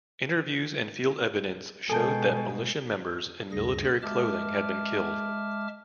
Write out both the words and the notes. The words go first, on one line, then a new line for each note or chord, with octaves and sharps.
Interviews and field evidence showed that militia members in military clothing had been killed.
B2 G#3 G#4 A4 G5 A5
D2 G2 C#3 G3 G#4 A#6
G#3 E5 A5 D6 F6